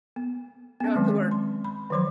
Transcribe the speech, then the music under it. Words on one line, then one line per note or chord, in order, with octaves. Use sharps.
You have to learn
B3
B3 C#4
D#3 F#3 G#3 C4
C6
B5
D#3 F3 F#3 C5 C6